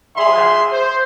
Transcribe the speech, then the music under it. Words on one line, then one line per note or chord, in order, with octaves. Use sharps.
Oh yeah.
G#4 E5 C6
C5